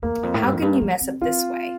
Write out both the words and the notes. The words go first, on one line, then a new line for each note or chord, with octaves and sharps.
How can you mess up this way?
E2 A#3
E2
F2
A2
G2
F2
G2
F3
C4
C4 F4